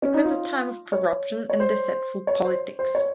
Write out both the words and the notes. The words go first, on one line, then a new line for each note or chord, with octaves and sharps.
It was a time of corruption and deceitful politics.
C#4
D#4
F4
C#5
C#5
C5
C#5
C5
C5
C#5